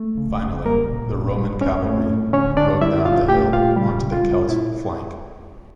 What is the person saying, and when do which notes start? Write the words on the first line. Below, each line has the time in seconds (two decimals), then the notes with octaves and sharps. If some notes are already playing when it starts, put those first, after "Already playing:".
Finally, the Roman cavalry rode down the hill onto the Celts' flank.
Already playing: A3
0.17 C#3
0.42 C#3
0.65 G3 A#3 A#4
0.89 A#2
1.14 A#2
1.37 G3
1.61 A2 C#4 C#5
1.85 A3
2.10 A2
2.33 D3 C#4 C#5
2.57 D3 D4 D5
2.81 G3 E4 E5
3.05 A#2 F4 F5
3.29 A3 G4 G5
3.53 A#2 F4 F5
3.76 C#3 G3 G4
4.01 C#3
4.12 F4
4.24 G3
4.49 A#2 E4